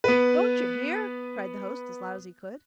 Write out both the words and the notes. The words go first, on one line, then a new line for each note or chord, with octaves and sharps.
'Don't you hear?' cried the host as loud as he could.
B3 B4